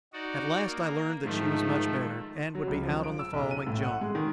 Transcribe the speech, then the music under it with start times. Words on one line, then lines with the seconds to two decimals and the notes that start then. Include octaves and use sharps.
At last I learned that she was much better, and would be out on the following jom.
0.13 D#4 F#4 D5
0.66 A#3
1.24 G#2 D#3 F3 A3
2.55 F#3
2.67 C#2
2.83 F3
3.03 D7
3.19 E6
3.33 B1
3.51 D#7
3.67 A2
3.83 F#5
4.01 G#3
4.15 D#3